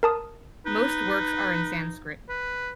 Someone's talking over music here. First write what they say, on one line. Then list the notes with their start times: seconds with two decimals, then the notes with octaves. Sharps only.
Most works are in Sanskrit.
0.03 A#4 A5 D#6
0.66 D#4 B4
2.29 B4